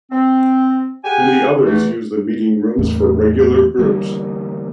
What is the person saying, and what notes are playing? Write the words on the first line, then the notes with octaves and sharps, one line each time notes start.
Many others used the meeting rooms for regular groups.
C4
G4 G#4 F#5 G#5
E2 E3 A3
E2 A2 A#3
D3 E3 G3 A#3